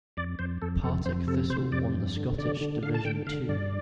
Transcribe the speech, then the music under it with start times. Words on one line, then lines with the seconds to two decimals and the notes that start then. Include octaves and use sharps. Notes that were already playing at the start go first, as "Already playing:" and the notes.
Partick Thistle won the Scottish Division Two.
0.17 F2 D5
0.39 F2 C5
0.62 F2 A4
0.83 F2 A4
1.06 F2 C5
1.27 C3 A4
1.50 C3 C5
1.72 F2 D5
1.95 G2
2.16 D3
2.38 D3 D5
2.61 D3
2.83 D3 F5
2.94 A5
3.05 D3 G5
3.27 D3 F5
3.49 G2 D5